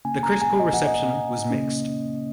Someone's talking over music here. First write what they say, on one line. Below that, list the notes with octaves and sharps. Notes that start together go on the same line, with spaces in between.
The critical reception was mixed.
C#3 A#3 C#4 G#5
A#5
G#5
D#5
F#5
D#5
C#3 A#3 C#4